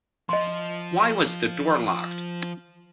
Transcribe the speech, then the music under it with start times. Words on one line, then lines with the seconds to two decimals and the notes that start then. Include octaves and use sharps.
Why was the door locked?
0.29 F3 D#5 C6